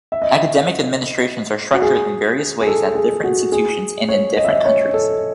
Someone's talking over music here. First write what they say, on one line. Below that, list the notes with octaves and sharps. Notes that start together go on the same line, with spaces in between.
Academic administrations are structured in various ways at different institutions and in different countries.
E5
D#5
E5
F#4
G#4
G#4
A4
G#4
F#4
G#4
C#5
D#5
E5
D#5
C#5
A4